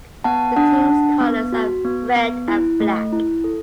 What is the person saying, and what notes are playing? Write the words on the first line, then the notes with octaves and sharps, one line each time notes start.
The team's colours are red and black.
B3 F#5 A5
D4 F#5 A5
D4
B3
F#4
B3
B3
E4
A3
E4
A4